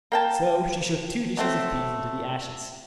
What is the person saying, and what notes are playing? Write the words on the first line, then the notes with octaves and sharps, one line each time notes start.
So she shook two dishes of peas into the ashes.
A#3 G5 A5
F#3 A3 C4